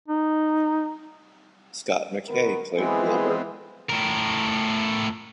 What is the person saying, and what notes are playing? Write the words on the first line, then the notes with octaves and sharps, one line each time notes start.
Scott McKay played Wilbur.
D#4
D#3 B3 A#4
E3 G#3 B3 C4 G#4
A2 A#4